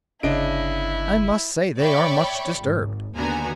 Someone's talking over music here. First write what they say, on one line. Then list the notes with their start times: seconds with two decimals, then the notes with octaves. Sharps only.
"I must say they are much disturbed."
0.23 G1 C#3 D4 E4 D#5 D7
1.80 C#5 D5 E5 G5 B5 C#6
2.57 G#1
3.15 D#2 D3 B3 F#4 G#5 A#5